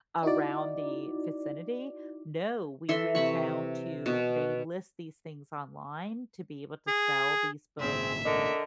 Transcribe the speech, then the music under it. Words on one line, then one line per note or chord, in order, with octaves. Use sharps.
around the vicinity? No. We reach out to They list these things online to be able to sell these books
D#4 E4 F#4 D5
E3 A4 E5 C6
C3 B5 C#6
B2
G#4
G#1 A#2 C#3 C4 G#4 E5
D3 A#4 D#5